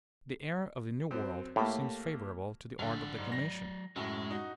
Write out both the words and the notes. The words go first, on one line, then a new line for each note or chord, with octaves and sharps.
The air of the New World seems favourable to the art of declamation.
F#2 C4
A2 A3 A#3 G4
A#1 D3 F#3 D5
G#2
A#6
F#2 A2 G#3
D#4 F#4